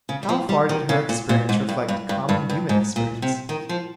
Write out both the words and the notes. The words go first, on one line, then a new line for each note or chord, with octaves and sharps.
How far did her experience reflect common human experience?
C#3
G3
F3
G3
D#3
C#3
A#2
A#2
G#2
G2
G2
G2
G2
G2
G#2
A#2
C3
D#3
F3